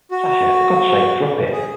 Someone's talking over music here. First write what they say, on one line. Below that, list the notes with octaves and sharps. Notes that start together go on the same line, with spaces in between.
Sasha, for God's sake, drop it!
F#4
G#4